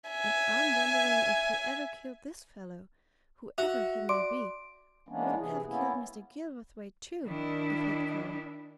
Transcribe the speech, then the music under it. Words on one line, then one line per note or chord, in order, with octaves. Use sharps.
And I'm wondering if whoever killed this fellow, whoever he may be, wouldn't have killed Mr. Gilverthwaite, too, if he'd come?
E5 G#5
F#4 E5 F7
D5 C6 D6 D7
E3 G#3 A#3 B3 C#4 D4
C3 E3 G#4
A#3 B3 C#4 E4
D#3 D4 E4